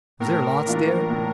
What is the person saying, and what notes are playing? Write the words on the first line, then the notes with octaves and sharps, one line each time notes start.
Was there lots there?
A2 A#4
E3 A#3 D4 F4
A2